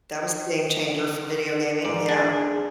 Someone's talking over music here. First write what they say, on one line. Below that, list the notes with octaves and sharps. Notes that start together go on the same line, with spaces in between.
That was the game changer for video gaming, yup.
G#2 D5
D4 G#4